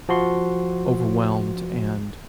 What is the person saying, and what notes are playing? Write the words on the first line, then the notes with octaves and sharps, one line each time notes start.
overwhelmed and
F3 F#4 C6